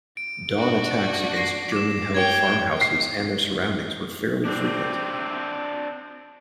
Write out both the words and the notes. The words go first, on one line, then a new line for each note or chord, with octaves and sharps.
Dawn attacks against German held farmhouses and their surroundings were fairly frequent.
D7
D4 F#4
A#6 C7
D6 E7
C#5 G5 G#6
C7
C4 D4